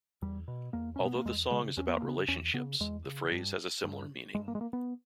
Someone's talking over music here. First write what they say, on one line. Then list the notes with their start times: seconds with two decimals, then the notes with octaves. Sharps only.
Although the song is about relationships, the phrase has a similar meaning.
0.22 E2 G3
0.48 B2
0.73 E2 A#3
0.96 B2 C#4
1.05 B3
1.15 A#3
1.25 E2 G#3
1.51 C#3 G#3
1.77 E2 C#4
1.87 B3
1.97 A#3
2.03 C#3
2.08 B3
2.28 E2 C#4
2.54 C#3 B3
2.80 E2 G#3
3.06 C#3
3.31 G2
3.84 G2
4.35 G2 G#3
4.48 A#3
4.55 G#3
4.61 A#3
4.73 B3